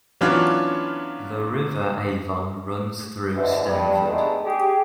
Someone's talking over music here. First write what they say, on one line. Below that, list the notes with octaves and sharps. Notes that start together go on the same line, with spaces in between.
The river Avon runs through Stanford.
E3 F#3 B3 C#4 D4 F4
G#2 B2 D3 E3
G2 G3
G#3 A3 B3 D4 D#4 G#4
G4 G#4